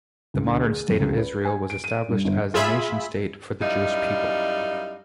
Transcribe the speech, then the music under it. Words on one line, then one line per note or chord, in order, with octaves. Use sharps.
The modern State of Israel was established as a nation-state for the Jewish people.
C#2
D2
G#4
F2
C#2
B4
G#5
D7
D#7
G2
G1
F4 G#4 E5 B5
F#2 G3 D#4 E4 F5